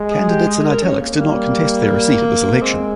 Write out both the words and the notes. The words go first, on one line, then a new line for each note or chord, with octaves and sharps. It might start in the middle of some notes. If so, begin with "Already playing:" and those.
Candidates in "italics" did not contest their seat at this election.
Already playing: G#3
G#4
G4
G#4
A#4
C#4
A#3
G3 A#3
G#3 C4